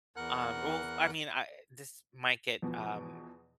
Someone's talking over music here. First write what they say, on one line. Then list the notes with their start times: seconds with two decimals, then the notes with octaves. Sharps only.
um well, I mean, I this might get, um
0.16 E2 A#4 F#5 F#6
2.62 E2 B2 F3